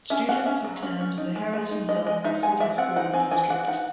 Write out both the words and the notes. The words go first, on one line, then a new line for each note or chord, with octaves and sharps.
Students attend the Harrison Hills City School District.
C#4 E5
C#4 F#5
C#4 E5
F#3
C#4
C#4
D#4
G#3
G#3
D#4
G#3 D#5
G#3 D#5
D#4 E5
G#3 G#5
E3 E5
C4 F#5
D#4 F#5
C4 G#5
E3 G#5
E3 F#5
D#4 F#5